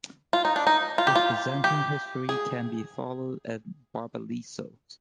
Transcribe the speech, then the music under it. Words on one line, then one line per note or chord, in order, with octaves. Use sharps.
Its Byzantine history can be followed at Barbalissos.
F4
D#4
D4
D#4
F4
G4
F4
G4
G#4